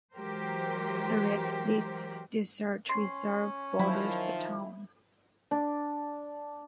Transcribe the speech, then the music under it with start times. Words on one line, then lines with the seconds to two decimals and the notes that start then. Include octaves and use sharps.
The Red Cliffs Desert Reserve borders the town.
0.14 E3 F#3 G#3 G4 A#4 C5
2.89 C#4 C6
3.79 D#3 F3 F#3 E4
5.51 D4